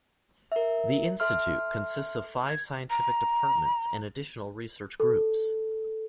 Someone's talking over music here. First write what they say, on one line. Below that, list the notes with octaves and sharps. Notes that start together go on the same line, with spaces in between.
The Institute consists of five scientific departments and additional research groups.
A#4 E5
A4 E5 C6 F6
G#6
A#5
A4